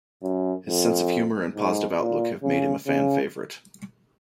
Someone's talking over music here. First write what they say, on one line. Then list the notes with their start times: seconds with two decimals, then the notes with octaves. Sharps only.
His sense of humor and positive outlook have made him a fan favorite.
0.23 F#2
0.66 F2
1.55 G#2
1.99 A#2
2.43 C#3
2.87 C#3